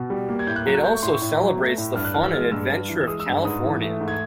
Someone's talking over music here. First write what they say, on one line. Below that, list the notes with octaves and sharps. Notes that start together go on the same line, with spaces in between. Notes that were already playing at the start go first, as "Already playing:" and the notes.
It also celebrates the fun and adventure of California.
Already playing: B2
G3
A#3
G#6
A2 G6
F#6
F#3
F#6
A3 G6
C#6
A2 C6
C#6
A2
F#3
A3
A2
G2 F6
F#6
E3 F6
E6
G#3 F6
G2 E6
G2
E3
E6
G#3 D#6
E6
G2
G#2 D#6
E3
A3
G#2
G#6